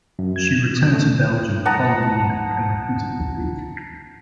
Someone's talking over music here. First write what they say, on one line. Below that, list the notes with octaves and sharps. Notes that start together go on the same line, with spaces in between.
She returned to Belgium the following year and repeated the feat.
F#2
G#6
A3
F#5 A5 A#5 D#6